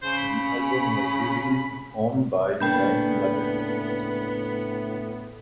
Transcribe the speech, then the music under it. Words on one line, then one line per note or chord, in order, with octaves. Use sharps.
The album was released on by Naim label.
C#3 C5
B5
A2 C#3 A#3 B3 D4 G5 B5 G6